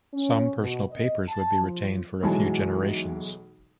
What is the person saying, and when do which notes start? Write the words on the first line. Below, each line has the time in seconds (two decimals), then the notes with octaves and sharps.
Some personal papers would be retained for a few generations.
0.14 C#4
0.59 B2
0.91 D#5
1.29 A5
1.61 F3
2.23 B1 E3 F#3 G#3 G#5 A5